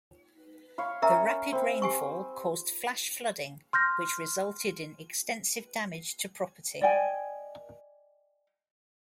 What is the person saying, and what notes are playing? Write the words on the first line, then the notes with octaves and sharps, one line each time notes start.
The rapid rain fall caused flash flooding, which resulted in extensive damage to property.
C#5 F5 B5
C#4 A#4 E5 A#5
C4 B5
G4 G#5 C#6
C6 F6 G6 A#6
D5 D#5 G5 G#5